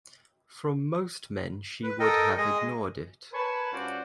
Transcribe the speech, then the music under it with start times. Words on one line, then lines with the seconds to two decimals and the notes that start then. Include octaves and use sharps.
From most men she would have ignored it.
1.83 B4
2.00 A4 A#4 D#5 G5
2.37 G#3 G#4 D#5
3.32 A#4 B4 C#5 G#5 A5 B5
3.71 G2 C#4 F4 F#4 C5 D5